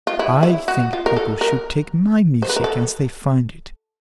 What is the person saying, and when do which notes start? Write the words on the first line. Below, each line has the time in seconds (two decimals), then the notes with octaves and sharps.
I think people should take my music as they find it.
0.07 F4
0.19 E4
0.43 E4
0.68 F#4
0.93 F4
1.06 A#4
1.16 A4
1.41 A#4
2.42 C5
2.49 B4
2.56 A#4
2.64 A4